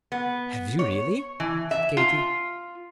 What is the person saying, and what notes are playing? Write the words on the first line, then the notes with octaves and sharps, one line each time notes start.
"Have you, really?" said Katy.
B3
C#5
E3
E5
F4